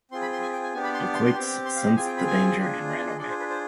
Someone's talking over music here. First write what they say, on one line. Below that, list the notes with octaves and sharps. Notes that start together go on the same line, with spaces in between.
Dacoits sensed the danger and ran away.
C4 F4 G#4 C6
B5
C6
G#5
G5
G#5
B3 D4 G4 G#5
B5
C6
C6
C6
C4 G4
C6
F5
D#5
C4 F4 G#4 G#5
G5
B5
G#5
D4 F4 G#4
D#5
D5
D#5
D4 F4 G#4 D5
C5
B4
C5